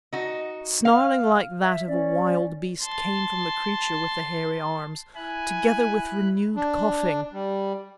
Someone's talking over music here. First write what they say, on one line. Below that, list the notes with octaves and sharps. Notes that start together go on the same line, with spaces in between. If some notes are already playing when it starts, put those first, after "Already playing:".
Snarling like that of a wild beast came from the creature with the hairy arms, together with renewed coughing.
D#4 F#4
F5
E5
C#4 D5
A5 C6
E4 G#5 B5 F#6
D4
G3